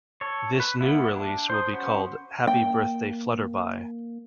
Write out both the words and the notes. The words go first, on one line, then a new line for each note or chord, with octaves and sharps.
This new release will be called "Happy Birthday Flutterby".
A4 C#5
B4
A#3 B3 E4
D4
C5 C6 D#6
B3 C#4 F#4 C5 C6
A#3 G5